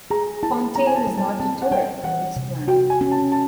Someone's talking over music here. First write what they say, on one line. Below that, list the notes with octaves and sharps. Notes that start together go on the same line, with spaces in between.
Fontaine is not deterred from his plan.
G#4 A#5
E4 A5
B3 A#5
G#5
A5
F#3
A5
C4 A5
F#5
G3 G5
E3 F#5
C3
F#4 G5
G#5
C#4
A5
A5